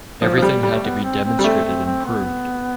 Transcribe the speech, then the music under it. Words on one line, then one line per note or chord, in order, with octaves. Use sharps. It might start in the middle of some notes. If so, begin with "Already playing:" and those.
Everything had to be demonstrated and proved.
F3
F3
G3
G3
A3
B3
C4
C4
G3
A3 C4
C4
C4
B3